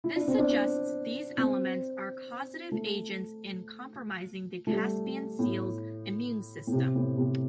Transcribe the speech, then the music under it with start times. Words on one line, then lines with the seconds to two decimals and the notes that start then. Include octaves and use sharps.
This suggests these elements are causative agents in compromising the Caspian seal's immune system.
0.04 E4
0.16 D4
0.28 C4
0.39 D4
1.38 C4
2.72 A3
4.67 A3
4.72 G3
5.39 A2
6.67 A2
6.72 C3
6.95 A2
7.17 C3